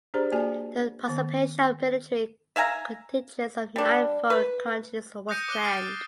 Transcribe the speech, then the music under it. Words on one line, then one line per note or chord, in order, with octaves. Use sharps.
The participation of military contingents of nine foreign countries was planned.
D4 G4 G#4 C5 D5 A#5
A#3 F#4 G#4 D5 G#5 A5
D#3 B3
E5 F5 G#5 A#5
G3 D4
B4
D#6 F#6 G6 A#6 C#7 D#7
D6 F#6 D#7 G7
F6 A6 C7 D7 D#7